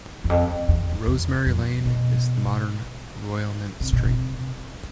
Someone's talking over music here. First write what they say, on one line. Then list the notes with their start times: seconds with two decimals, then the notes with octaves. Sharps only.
"Rosemary Lane" is the modern "Royal Mint Street".
0.24 E2
0.30 F2
0.68 E2
1.07 E2
1.46 F2
1.85 B2
3.80 C3
3.93 B2
4.05 C3